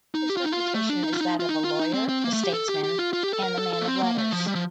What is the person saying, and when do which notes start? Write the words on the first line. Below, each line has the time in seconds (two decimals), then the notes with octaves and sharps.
His reputation is that of a lawyer, a statesman and a man of letters.
0.15 D#4
0.29 G4
0.37 F4
0.44 D#4
0.52 F4
0.74 A3
0.89 D4
1.04 D#4
1.12 F4
1.20 D#4
1.40 F4
1.49 D#4
1.64 F4
1.79 D#4
1.94 C4
2.09 C4
2.24 A#3
2.33 A3
2.44 G4
2.54 A4
2.69 G4
2.84 G4
2.99 F4
3.13 F4
3.23 G4
3.33 A4
3.43 A#4
3.59 A4
3.73 A4
3.81 A#3
3.88 C4
4.03 A#3
4.18 A3
4.32 F3
4.47 G3
4.55 F3